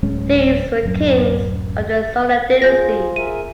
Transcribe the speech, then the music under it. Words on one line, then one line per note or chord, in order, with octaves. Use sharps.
These were Kings of the Solar dynasty.
D1 G#3 C#4
D1 F#2
F4 G#4 C5 G6 A#6
G#4 A#4 E5 D#7